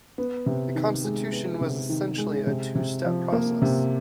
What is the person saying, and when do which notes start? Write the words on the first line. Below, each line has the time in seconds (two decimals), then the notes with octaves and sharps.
The constitution was essentially a two-step process.
0.18 B3
0.46 C3
0.75 D#3
1.04 G#3
1.32 B3
1.61 C3
1.89 D#3
2.18 G#3
2.47 C3
2.75 C3
3.04 F3
3.32 A#3
3.62 C3